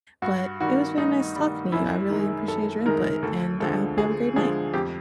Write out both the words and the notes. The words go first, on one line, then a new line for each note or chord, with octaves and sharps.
But it was really nice talking to you. I really appreciate your input, and I hope you have a great night.
G2 F#4
D#3 G3 F#4
G2 D#4
D#3 G3
F#2 E4
D#3 G#3
F#2 A4
D#3 G#3 A#4
D2 A4
D3 F3 G#3 A4
D2 G#4
D3 F3 G#3 G#4
F2 G4